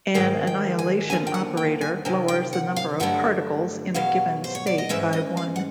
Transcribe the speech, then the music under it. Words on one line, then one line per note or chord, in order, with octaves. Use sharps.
An annihilation operator lowers the number of particles in a given state by one.
G#2 D#3 G#3 G5
G5
G#5
D#2 D3 F3 A#3 G#5
G5
F#5
G5
G#5
C3 D#3 F#3 G#5
G5
F#5
F5
G2 D3 F#3 A3 F#5
E2 B2 F#3 F5
C5
C#5
D5
D#5
G#2 E3 G#3 C#4 E5
D#5
F5
F#5